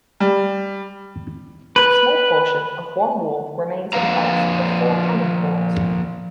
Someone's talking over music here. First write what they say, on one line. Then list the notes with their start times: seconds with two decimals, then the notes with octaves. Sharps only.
A small portion of one wall remains in place with four cannon ports.
0.20 G3
1.76 B4
3.93 F3 A#3 B4 F5 A#5